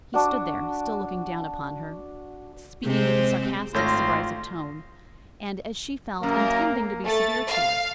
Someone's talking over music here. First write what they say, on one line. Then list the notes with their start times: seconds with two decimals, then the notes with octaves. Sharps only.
He stood there, still looking down upon her, speaking with a sarcastic subrisive tone, and, as she felt, intending to be severe to her.
0.14 D4 F#4
2.84 C3 G#3 C4
3.74 G#1 A3 F4 C#5 C6 G6 A#6
6.23 F#2 A#3
7.05 A3 A6
7.49 F5